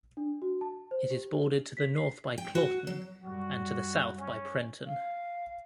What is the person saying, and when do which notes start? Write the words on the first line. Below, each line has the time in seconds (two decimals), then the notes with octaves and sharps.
It is bordered to the north by Claughton and to the south by Prenton.
0.17 D4
0.42 F#4
0.61 A5
0.91 C5
1.11 G4
1.77 B6
1.96 C7
2.38 G5
2.55 F#4
2.87 F#3
3.23 F#2 G3 F#4
4.17 C#4
4.86 F5